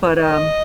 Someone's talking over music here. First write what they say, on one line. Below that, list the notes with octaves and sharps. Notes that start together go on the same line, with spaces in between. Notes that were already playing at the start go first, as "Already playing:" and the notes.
But, um,
D#5